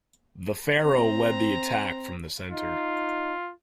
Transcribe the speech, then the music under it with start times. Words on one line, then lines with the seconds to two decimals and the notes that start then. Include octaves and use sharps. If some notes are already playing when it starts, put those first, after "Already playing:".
The Pharaoh led the attack from the center.
0.83 C4 A#5
2.51 D#4 F4